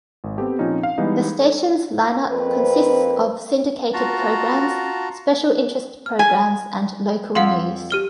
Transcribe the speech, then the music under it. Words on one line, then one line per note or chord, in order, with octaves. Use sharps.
The station's lineup consists of syndicated programs, special interest programs and local news.
G#1
B3 C4 G4 A4
A#2 F3 C4 C#4 D#4 F4
F5
E3 G3 G#3 B3 D#4
A4
F2 A#3 C4 B4
F4 F#4 A5 A#5
F6
G#5
F2 F5 F#5 C6
G4 F6 G7